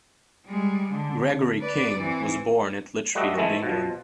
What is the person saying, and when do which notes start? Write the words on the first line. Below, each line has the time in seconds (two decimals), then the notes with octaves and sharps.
Gregory King was born at Lichfield, England.
0.46 G3 G#3
0.94 D3
1.61 B4 D5
1.98 E3 C4
3.15 G3 A3 F#4 B4 D#5 E5
3.37 E3 G#3 A3 E4 A4
3.63 B2 F3